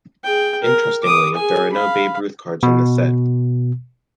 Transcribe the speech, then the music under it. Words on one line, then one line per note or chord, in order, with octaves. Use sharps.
Interestingly, there are no Babe Ruth cards in the set.
G#4 G5
A#4
D6 D#6
G#4 G#5
F5 B5
B2